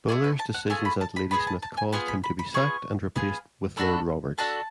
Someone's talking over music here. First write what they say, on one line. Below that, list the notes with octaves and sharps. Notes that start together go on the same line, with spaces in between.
Buller's decisions at Ladysmith caused him to be sacked and replaced with Lord Roberts.
A3 F4 G#4 D5
B4
A5
F#5
A3 F4 G#4 G#5
B5
A5
B5
B3 F4 G#4 B5
A5
A5
G#5
B3 F4 G#4 G#5
B5
B5
B5
B3 F4 G#4 C#6
B3 F4 G#4
A3 D4 F#4 A4 B5
A3 D4 F#4 A4 A5